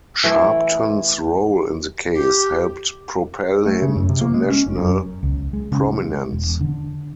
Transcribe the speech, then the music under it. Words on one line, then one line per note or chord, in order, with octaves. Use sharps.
Sharpton's role in the case helped propel him to national prominence.
E3 A3 E4
G4
A3
C#3
F#2
C3
A#3
G#3
C#4
F1
F#2
C#2
G#3
C#3
G#3
E1
D3